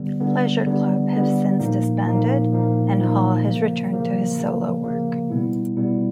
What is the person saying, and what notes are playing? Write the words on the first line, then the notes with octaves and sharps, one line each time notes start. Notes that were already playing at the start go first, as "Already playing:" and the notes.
Pleasure Club have since disbanded, and Hall has returned to his solo work.
Already playing: D3 G3 B3
D3 G3 B3
D3 G3 B3
D3 G3 B3
A#2 F3 A#3 D#4
A#2 F3 A#3 D#4
A#2 F3 A#3 D#4
A#2 F3 A#3 D#4
C#3 F3 A#3
C#3 F3 A#3
C#3 F3 A#3
C#3 F3 A#3
B2 G3 B3 E4
B2 G3 B3 E4